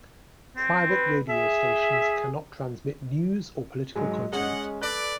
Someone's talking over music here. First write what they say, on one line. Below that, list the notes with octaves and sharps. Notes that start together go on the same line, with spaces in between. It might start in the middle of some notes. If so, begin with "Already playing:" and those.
Private radio stations cannot transmit news or political content.
C4
B4
G#4 E5
G#2 F#3 G#3
G#3 C#4 G#4 D#5 F#5
A4 B4 D5 F#6